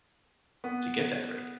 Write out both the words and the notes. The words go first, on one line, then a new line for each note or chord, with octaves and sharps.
to get that break?
B3